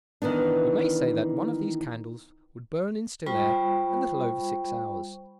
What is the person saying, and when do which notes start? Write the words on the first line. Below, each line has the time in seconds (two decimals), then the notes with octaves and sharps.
We may say that one of these candles would burn in still air a little over six hours.
0.22 D#3 E3 B3 D4
3.26 G3 F4 C5 G5 B5 C#6